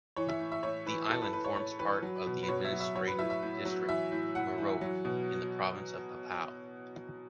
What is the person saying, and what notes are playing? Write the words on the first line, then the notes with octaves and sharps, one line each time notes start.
The island forms part of the administrative district Merauke in the province of Papua.
E3 C#5
E5
A2
E5
A2 C#5
E3 B4
E3 A4
B4
A2 B4
C#5
A2 C#5
E3 B4
F#3
B2
B4
B2 C#5
E5
F#3
E5
F#3 C#5
B4
A2 E5
E5
A2
F#3
E3 E5
A2
A2 F#5
E3
F#3
B2